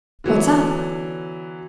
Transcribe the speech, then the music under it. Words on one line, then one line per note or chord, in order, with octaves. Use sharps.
'What's up?
D3 E3 F#3 B3